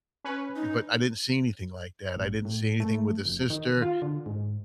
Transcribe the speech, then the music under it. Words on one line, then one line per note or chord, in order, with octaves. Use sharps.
eh, but I didn't see anything like that, I didn't see anything with his sister.
C#4 B4
D#4
A1
A2
A3
F1
D#3
F4
D3
G#2